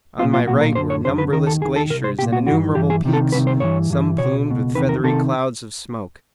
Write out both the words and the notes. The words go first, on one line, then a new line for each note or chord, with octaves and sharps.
On my right were numberless glaciers and innumerable peaks, some plumed with feathery clouds of smoke.
B1 A#2 F4
F4
B1 A#2 F#4
A#4
F#2 D3 C5
C#5
F#2 D3 C5
B4
D#2 D#3 A#4
A4
D#2 D#3 G#4
A4
A#2 A#4
C2
C5
C2 A#2 G4
F#4
G2 E3 F#4
G2 E3 G4
G#4
C2 C3 D#3
A4
C2 C3 D#3 B4
C5
G2 E3 C#5
G2 E3
C#2 B2 C#5
C#2 B2
E2 C3 D#3 B4
A#4
C3 D#3 A4